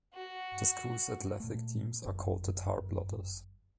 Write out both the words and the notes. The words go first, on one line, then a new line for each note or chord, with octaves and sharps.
The school's athletic teams are called the Tarblooders.
F#4
A#2 A3
G1 F#2